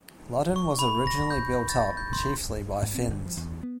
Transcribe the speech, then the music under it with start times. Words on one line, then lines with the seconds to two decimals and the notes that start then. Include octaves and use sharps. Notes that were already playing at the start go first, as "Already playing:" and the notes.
Ludden was originally built up chiefly by Finns.
0.56 C#6
0.79 B5
1.07 A#6
1.30 G6
1.69 A6
1.97 G6
2.13 C6
2.82 G#2
2.95 C4
3.10 G1
3.26 F3
3.37 E2
3.63 B3